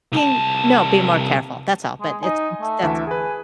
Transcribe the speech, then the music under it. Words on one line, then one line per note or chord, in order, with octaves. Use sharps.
Being No, being more careful, that's all, but it's s that's
C2 A5
G#3
D#4 D#5 G#5
A3
D2 E3 E5
G#4 B4 G#5